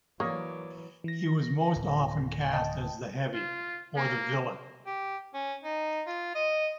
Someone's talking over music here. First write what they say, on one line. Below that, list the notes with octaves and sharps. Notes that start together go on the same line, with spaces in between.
He was most often cast as "the heavy" or the villain.
E3 F#3 A#3 C#5 D5 C#6 D#6 A#6
E3 A#6
D1
D#5 G5 A5
F4
A#3
G4
C#4
D#4
F4
D#5